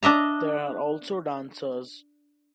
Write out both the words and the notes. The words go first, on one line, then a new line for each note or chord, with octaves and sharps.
There are also dancers.
D4 D#5 E5 A#5